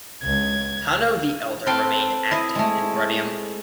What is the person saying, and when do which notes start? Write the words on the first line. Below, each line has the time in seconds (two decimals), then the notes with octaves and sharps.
Hanno the Elder remained active in Bruttium.
0.23 C#2 G#6
1.66 C4 A4 B4 F5 G5 C6
2.31 E4 D#5
2.56 G#3 A3